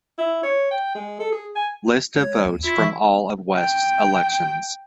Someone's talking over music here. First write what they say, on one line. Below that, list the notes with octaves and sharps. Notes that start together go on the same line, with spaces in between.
List of votes from all of West's elections.
E4
C#5
G5
G#3
A4
G#4
G#5
G#3 C#5 G#6
D#2
E4 F4
E3 E5 C#6
G5